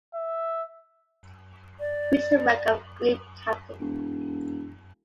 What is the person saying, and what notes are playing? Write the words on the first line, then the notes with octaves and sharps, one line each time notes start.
He reached the rank of group captain.
E5
D5
E1